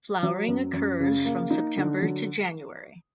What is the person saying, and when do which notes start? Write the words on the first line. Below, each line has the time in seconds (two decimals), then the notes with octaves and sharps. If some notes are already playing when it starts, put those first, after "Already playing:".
Flowering occurs from September to January.
0.23 F#3
0.48 F#2
0.73 F#2
1.00 C#3
1.25 A#3
1.50 D#4
1.77 D3
2.02 F#3